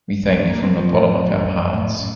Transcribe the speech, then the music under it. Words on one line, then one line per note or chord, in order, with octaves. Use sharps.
We thank you from the bottom of our hearts.
D1
G2
A#3
C4
F3
A2
G2
F#2
F#2
A2
F#2